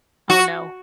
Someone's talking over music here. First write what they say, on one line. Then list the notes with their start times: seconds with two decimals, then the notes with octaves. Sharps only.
Oh no.
0.30 F#4